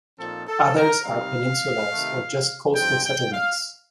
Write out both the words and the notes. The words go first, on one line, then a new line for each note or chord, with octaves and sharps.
Others are peninsulas or just coastal settlements.
A#2 F3 C4 D#4 A4
A4
A#4
C3 G3 C4 D#4 F5
C3 D#3 A3 D#4
G2 F3 C4 D#4 G5
G5
F5